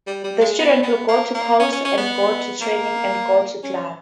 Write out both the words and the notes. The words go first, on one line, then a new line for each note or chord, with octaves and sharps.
The students will go to calls and go to training and go to class.
G3
G3
G#3
B3
B3
A#3
A#3
C#4
C#4
C#4
B3
A#3
C#4